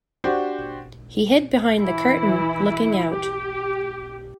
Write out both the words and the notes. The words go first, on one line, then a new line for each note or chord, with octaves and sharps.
He hid behind the curtain, looking out.
D4 F#4 G4 C5
E3 E4
G4